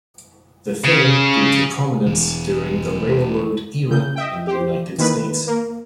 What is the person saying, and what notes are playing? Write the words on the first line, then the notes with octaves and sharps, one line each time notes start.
The firm grew to prominence during the railroad era in the United States.
C#3
E1 E3
C#3 G6
D#5 E5 G5
G4 C5
D#3 E3 A#3 B4
A#3